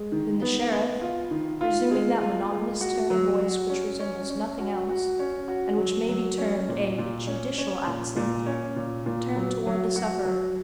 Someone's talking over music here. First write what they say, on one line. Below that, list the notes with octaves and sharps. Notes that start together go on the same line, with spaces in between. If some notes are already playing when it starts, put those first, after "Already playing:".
Then the sheriff, resuming that monotonous tone of voice which resembles nothing else, and which may be termed a judicial accent, turned towards the sufferer.
Already playing: G#3
D#3
B3
B3
F4
D#3
F4
G#3
F4
G#3
F#4
F#3
F#4
C#4
C#4
C#4
F#4
F#4
C#4
F#4
F#3
F#3
C#4
A#2
A#2
C#4
C#4
A#2
A#2
C#4
A#2
A#2
F#3
F#3
F#4
F#3